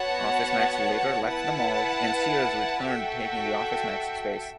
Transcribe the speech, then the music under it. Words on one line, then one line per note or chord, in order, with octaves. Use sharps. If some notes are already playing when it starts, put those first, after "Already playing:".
OfficeMax later left the mall, and Sears returned taking the OfficeMax space.
Already playing: B3 F#4 C#5 F#5 A5
E4 B4 F#5 A5
F#4 A4 E5 G5